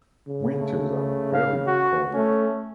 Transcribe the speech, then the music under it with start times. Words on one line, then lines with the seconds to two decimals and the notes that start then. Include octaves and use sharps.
Winters are very cold.
0.28 C#3
0.60 A3
1.33 F5
1.67 F#4
2.13 A3 C#4